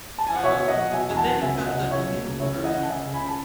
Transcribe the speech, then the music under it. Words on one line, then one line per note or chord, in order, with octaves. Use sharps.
Uh, but then you've got the new version of it,
A5
G#5
F#5
B2 C#5 E5
B2
D#5 F#5
F#3
B2 E5 G#5
E2
F#5 A5
F#3
C#2 E5 G#5
B2
D#5 F#5
C#2
C#2 C#5 E5
B2
C#2
C#2 C#5 E5
E3
D#5 F#5
C#3
A5
C#3 E5 G#5
C#2
G#5 B5
C#3
A5